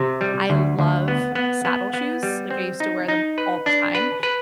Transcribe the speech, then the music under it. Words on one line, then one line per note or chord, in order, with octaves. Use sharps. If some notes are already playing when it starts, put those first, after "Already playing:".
I love saddle shoes, like, I used to wear them all the time,
Already playing: C3
G3
D2
D2
B3
B3
B3
B3
G3
C4
D#4
D#4
B4
D4
B4
B4